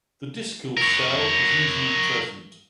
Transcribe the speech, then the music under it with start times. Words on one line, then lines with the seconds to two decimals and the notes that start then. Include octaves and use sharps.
The discal cell is usually present.
0.77 A#4 C#5